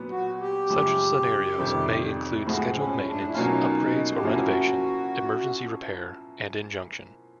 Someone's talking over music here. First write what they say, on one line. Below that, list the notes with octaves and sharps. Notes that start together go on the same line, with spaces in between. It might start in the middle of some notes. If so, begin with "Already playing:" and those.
Such scenarios may include scheduled maintenance, upgrades or renovation, emergency repair, and injunction.
Already playing: A#2 F#3 B3
F#4
G4
F#2 C#3 F3 G#3
F2 C3 D#3 G3 C4
A2 F3 G#3 F#4
C4
C#4
D4
E4
B2 F#3 A#3 C#4 D#4 F4
G4
F3 A#3 C#4 E4 F#4